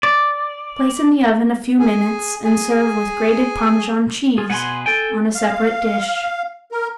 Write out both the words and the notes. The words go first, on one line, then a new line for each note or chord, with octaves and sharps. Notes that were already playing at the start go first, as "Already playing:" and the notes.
Place in the oven a few minutes and serve with grated Parmesan cheese on a separate dish.
D5
G#4
G#4
F4 G#4
B2 G#4 B4 F#5 G#5 C6
A4 G5 G#5
F5
A#4